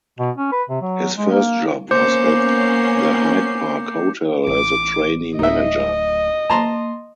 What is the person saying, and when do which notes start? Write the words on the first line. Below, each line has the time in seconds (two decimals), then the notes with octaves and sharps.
His first job was at the Hyde Park Hotel as a trainee manager.
0.19 B2
0.37 C#4
0.52 B4
0.69 C3
0.81 F#3
1.17 G#3
1.31 A#3
1.91 A#3 B3 C#4 C5 D6 G6 C7 C#7
4.47 A1 D6
5.39 D1 D#4 D#5 E5
6.50 A#3 A5 A#5 C6